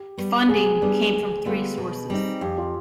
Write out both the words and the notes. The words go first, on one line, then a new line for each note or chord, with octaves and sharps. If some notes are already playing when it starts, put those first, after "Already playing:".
Funding came from three sources.
Already playing: G4
G3 B3
C3 G#4
G3 B3 D4
D2
D3 G3 B3 F4
B2
G3 C4 D#4
F2 G4
F4